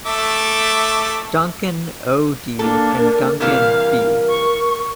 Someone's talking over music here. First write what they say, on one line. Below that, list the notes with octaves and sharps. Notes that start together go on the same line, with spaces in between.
Duncan, O. D. and Duncan, B.
A3 E5 D6
A#3 D4 A4
A#4
C3 E3 G3 A#4 F5
C#6